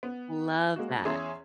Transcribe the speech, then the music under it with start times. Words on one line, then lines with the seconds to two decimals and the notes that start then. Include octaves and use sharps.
Love that.
0.03 B3
0.76 G#3 A#3 F#4
1.05 E2 C#4 G#4 C#5 E5 C6